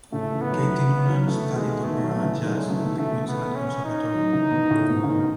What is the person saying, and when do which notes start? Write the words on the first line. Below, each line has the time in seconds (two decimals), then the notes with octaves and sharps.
Katie Noonan studied opera and jazz at the Queensland Conservatorium.
0.12 A2 C#3 A3
0.32 C#3 E3
0.41 B3
0.51 D#3 F#3
0.69 C#3 E3
0.89 C#3 E3
1.08 D#3 F#3
1.27 C#3 E3 A3
1.56 B2 D#3 G#3
1.84 B2 D#3 A3
2.03 D#3 F#3
2.22 C#3 E3
2.41 D#3 F#3 G#3
2.56 D#3 F#3
2.70 C#3 E3 A3
2.84 B2 D#3
2.98 C#3 E3 A3
3.28 B3
3.55 C#4
3.85 D#4
4.14 D#3 F#3
4.32 C#3 E3
4.51 B2 D#3
4.70 A2 C#3
4.89 G#2 B2
5.04 C#3
5.08 B2 D#3